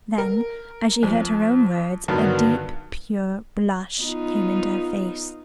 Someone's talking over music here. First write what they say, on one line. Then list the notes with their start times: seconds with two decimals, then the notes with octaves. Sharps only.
Then, as she heard her own words, a deep, pure blush came into her face.
0.18 A#4
1.03 F2
2.08 G2 D3 D#3 F#3 B3
4.02 B3 D#4 F4